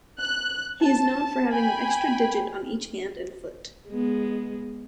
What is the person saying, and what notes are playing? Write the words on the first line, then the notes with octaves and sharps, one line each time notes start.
He is known for having an extra digit on each hand and foot.
F#6
A5
G5 G#5 B5
G#3 B3